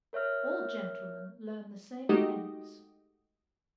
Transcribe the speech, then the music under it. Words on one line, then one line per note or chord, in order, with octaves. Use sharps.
"All gentlemen learn the same things."
A#4 C#5 E5 F6
G#3 A3 D#4 F#4 G4 D#5